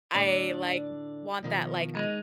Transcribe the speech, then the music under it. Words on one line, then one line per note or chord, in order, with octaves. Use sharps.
I, like, want that, like, a
A2 D3 D4 D5
B2 D#3 F3
G#3 D#4